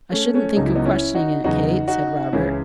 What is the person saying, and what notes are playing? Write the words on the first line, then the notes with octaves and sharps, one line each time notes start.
"I shouldn't think of questioning it, Kate," said Robert.
A3 C#4
A3 C#4
C#2 C#3 F#3 D#4
E4
B3 D#4
C#4 E4
D#4 F#4
E2 C#3 F#3 D#4 F#4
D#4 F#4
C#2 C#3 E3 C#4 E4